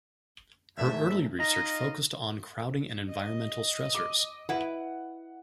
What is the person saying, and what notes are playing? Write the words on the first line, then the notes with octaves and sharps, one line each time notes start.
Her early research focused on crowding and environmental stressors.
E2 G#2 A3 E5
D#4 F4 D#5 A#5
D#5
D6
E4 B4 F#5